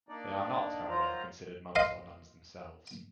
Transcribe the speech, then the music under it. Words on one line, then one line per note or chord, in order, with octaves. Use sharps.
They are not, however, considered monks or nuns themselves.
A#3 D4 D#4 D5
D#3 F#3 F4 C5 A#5
D#5 F5 C6